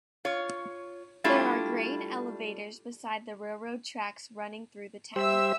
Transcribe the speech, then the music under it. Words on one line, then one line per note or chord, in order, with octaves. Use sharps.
There are grain elevators beside the railroad tracks running through town.
F4 C#5
G3 A3 D4 E4 F4 G4
G3 G4 C5 E5 E6